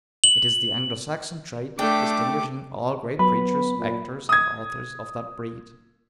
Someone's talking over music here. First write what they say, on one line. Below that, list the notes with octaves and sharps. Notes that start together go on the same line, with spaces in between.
It is the Anglo-Saxon trait, distinguishing all great preachers, actors, and authors of that breed.
F#7
A3 D4 G4 D6
F#3 B3 B4 B5
A#2
D#6 G#6